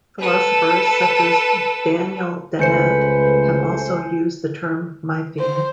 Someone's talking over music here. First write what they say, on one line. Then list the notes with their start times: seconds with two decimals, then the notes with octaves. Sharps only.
Philosophers such as Daniel Dennett have also used the term "mytheme".
0.19 A4 B4
2.59 C#2 A3 B4 C5 G#5 G6 C#7
5.39 C5